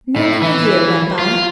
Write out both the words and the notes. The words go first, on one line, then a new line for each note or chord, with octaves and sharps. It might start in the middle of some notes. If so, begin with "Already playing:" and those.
Nearly a year went by.
A2
E3
F4